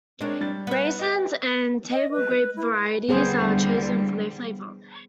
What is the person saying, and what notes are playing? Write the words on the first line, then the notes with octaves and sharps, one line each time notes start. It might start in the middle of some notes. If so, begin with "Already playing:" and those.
Raisins and table grape varieties are chosen for their flavour.
G#3 C4 D4 A#4 C#5
G3 A6
B3 E5
D#5 G5 A6
D#5
B4
E4
E2 D3 G3 B3 G#4 C5